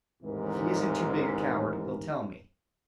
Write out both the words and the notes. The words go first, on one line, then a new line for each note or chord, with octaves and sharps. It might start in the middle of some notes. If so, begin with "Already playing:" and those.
If he isn't too big a coward, he'll tell me.
A1 D#2 G#2 C3 E3 A#4